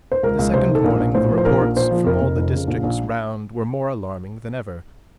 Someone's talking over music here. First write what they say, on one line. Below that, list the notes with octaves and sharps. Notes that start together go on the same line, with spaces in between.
The second morning the reports from all the districts round were more alarming than ever.
C5
C#2 A#4
C#2
C3 C5
D#3
A4
A#1 A#4
A#1
A2 C5
F3
C5
A#1 A#4
A#1
A#2 C5
F3
F1 A#4
F1
F2
C#3
A#1
A#1